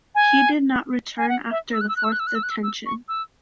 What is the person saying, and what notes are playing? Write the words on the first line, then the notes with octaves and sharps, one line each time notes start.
He did not return after the fourth detention.
G#5
G#5
F#5
E5
E6
F#6
E6
F#6
E6
F#6
E6
F#6
E6
F#6
E6
E6
C#6
E6